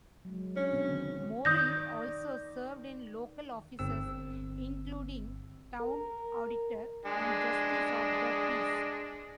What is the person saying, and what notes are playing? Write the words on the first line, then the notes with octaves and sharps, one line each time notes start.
Morrill also served in local offices including Town Auditor and Justice of the Peace.
F#3 G#3
C#4 D4
B2 B3 C4
D3 D#3
D#3 D5 D#6 G6 A#6
G1 C4 E6
A#4
G#3 D4